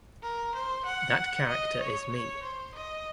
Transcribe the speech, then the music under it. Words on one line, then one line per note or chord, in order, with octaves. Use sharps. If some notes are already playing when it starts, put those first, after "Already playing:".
That character is me.
A#4
C5
F#5
D#5
C#5
C#5
C5
D#5